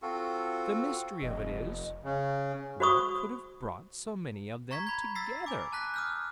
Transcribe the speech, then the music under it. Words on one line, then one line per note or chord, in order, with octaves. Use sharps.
The mystery of it is: What could have brought so many of them together?
C4 F4 F#4 A4
F1 D#5
C#3
F#4 C5 B5 C#6 D#6
A#5 C#6 G#6 B6
B5 G#6
E6 A6 B6 C7
G#5 D6
A5 F#6 B6
D#6 F6 G6